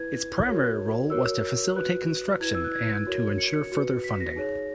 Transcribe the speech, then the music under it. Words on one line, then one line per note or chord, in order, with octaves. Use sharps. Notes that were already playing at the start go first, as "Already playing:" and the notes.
Its primary role was to facilitate construction, and to ensure further funding.
Already playing: E4 B4 G#6
F#4 A#4 C#5
F#4 A#4 C#5 E6
F#4 B4 F#6
E4 B4 G#6
E6
F#6
G#6
G#6
F#4 A#4 C#5
C#7
F#4 B4
B6
A#6
D#4 G#4 C#5